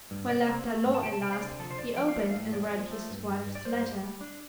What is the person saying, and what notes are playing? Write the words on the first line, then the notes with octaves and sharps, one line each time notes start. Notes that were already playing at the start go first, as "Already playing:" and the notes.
When left alone at last he opened and read his wife's letter.
G2
C3 D5
C4
A3
G2
A5
C3 G5
A5
C3 G5
F5
D3 D5
F3 A4
C5
F2 D5
F3 G5
F5
A3 D5
F5
A2
F2 D5
F3
A3
G2
G2
G2
D5
G2 C5
G3
G3
D4